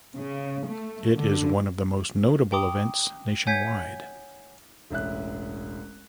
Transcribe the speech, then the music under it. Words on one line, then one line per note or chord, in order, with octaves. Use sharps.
It is one of the most notable events nationwide.
C#3
A3
D3
G5 A#5 C6 D6 D#6
C#5 F#5 G#5 G6 G#6 B6
E1 A1 E5 F#6